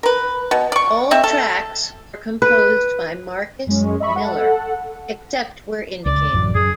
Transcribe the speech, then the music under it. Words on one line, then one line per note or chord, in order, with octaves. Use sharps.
All tracks were composed by Marcus Miller, except where indicated.
A#4 B4
B2
D5 C#6
G#3 C4 E5
A4
B4
F#2 G#3 C#4
D#5 E5 B5 C#6
A4 F#5
C#2 D5
A1 F#2 F#3
F#2 G#4